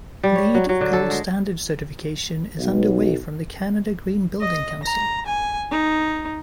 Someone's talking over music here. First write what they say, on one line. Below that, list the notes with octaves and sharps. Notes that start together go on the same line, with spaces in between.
Leed Gold Standard certification is underway from the Canada Green Building Council.
G3
C#5
F#3
F#3
D3
A4
G#3
B1
D#5
A#5
G#5
D#4